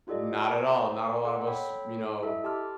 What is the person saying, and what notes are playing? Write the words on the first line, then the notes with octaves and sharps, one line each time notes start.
Not at all. Not a lot of us, you know,
D#4 F4 G4 A4 D5 D#5
A#4 C5 A5 A#5
A4 D#5 F#5 C6
A4 C#5 G5 B5
E4 A4 D#5 E5
G4 A5 C6 D6 F6